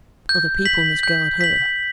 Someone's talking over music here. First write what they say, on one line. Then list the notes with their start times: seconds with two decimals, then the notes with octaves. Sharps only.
Other people must guard her.
0.29 G6
0.65 B6 F#7
1.03 G6
1.41 B6 F#7